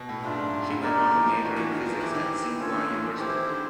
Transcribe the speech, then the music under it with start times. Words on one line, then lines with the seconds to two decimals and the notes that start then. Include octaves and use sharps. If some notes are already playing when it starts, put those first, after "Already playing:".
She went on to major in physics at Tsinghua University.
Already playing: B2
0.09 A2
0.23 G#2 A3 D4 F4
0.39 F#2
0.53 G#2
0.68 A2
0.82 D3 D#4 G4 A#4 D5
0.98 D#3
1.12 E3
1.26 F3
1.41 E3 D4 F#4 A#4
1.57 E3
1.71 D#3
1.81 E3
1.86 F3
2.01 E3 C4 E4 G4
2.15 D#3
2.60 D3 C#4 F4 A4 C#5
2.75 D#3
2.90 E3
3.04 F3
3.19 E3 C4 E4 G4 C5
3.34 D#3
3.48 D3